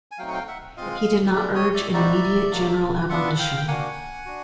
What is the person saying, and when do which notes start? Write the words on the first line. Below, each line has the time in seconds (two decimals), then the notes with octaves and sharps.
He did not urge an immediate, general abolition.
0.11 G#5
0.18 F#3 A3 C4 D#4 F5 G5
0.28 F#5
0.33 F5 G5
0.48 E5 F#5
0.77 G#3 C4 F4 D#5 F5
1.35 G#3 B3 D4 D5 E5
1.55 C#5 D#5
1.74 D5 E5
1.93 G3 C4 D#4 F#4 D5 E5
2.51 F#3 A#3 D4
3.09 B3 D4 F4 E5 F#5
3.39 F5 G5
3.57 G5
3.67 A#3 D4 F#4 F#5 G#5
4.26 D4 F#4